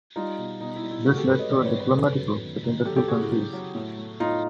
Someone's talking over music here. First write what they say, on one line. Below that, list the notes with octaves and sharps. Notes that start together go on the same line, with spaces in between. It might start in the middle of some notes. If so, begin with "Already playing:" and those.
This led to a diplomatic row between the two countries.
G3 D#4 F4
B2
B2 D#4
E4
G3
E4
A3 F#4 G#4
G4 A4
G#2 A4 B4
C#5 D#5
C4 C5 D5
B4 C#5
G#2
B4 C#5
F#2 A4 B4
F#2
D#3
D#3
F#3 G4 A4
G4 A4
C#3 F#4 G#4
E4 F#4
F#3
F#3
A2
A3
A2 D#4 F4